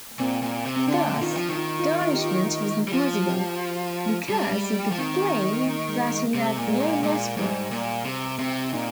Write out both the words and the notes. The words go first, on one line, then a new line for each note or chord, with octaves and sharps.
Thus, garnishment wasn't possible, because he could claim that he had no net worth.
A#2 C4
A#2
C3
C4
D3 D4
D#3 F4
F3
D#3
F4
F4
F4
G4
F4
G3
F3 F4
G4
G3 G#3
G#3
G#3
A#3
F3
D#3 C4
A#3
G#3
G#3
C3 G#3
A#2 A#3
G#3
A#2
A#2 G#3
G#2 G3
A#2
C3
C3 C4
A#2 D#4